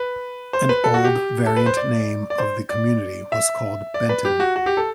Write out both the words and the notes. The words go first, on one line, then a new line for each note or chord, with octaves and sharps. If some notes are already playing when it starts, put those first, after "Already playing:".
An old variant name of the community was called Benton.
Already playing: B4
C5
B4
A4
F#4
G4
A4
B4
C5
D5
D5
C5
D5
E5
D5
B4
G4
F#4
F#4
G4
A4